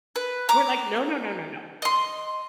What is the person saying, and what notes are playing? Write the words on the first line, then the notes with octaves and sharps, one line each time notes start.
We were like, "No, no, no, no, no."
B4
A#5 D6
D#5 C6